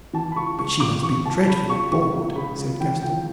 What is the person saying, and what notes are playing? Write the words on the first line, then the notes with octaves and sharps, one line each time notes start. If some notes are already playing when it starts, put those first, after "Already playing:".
"But she must be dreadfully bored," said Gaston.
E3 A5
B5
C#2 C#6
C#3 C#6
C#2 D6
E3 C#6
C#2 A5
C#3 B5
C#2 C#6
E3 C#6
C#2
C#3 B5
C#2
E3 G5
C#2 G5